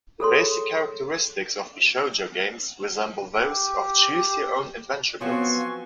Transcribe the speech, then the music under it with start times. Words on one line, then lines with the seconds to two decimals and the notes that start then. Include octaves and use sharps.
The basic characteristics of bishojo games resemble those of Choose Your Own Adventure books.
0.20 G#4 A4 C#5 C6
3.31 G4
5.21 F3 F#3 B3 C4 F5 G#5 C6 C#6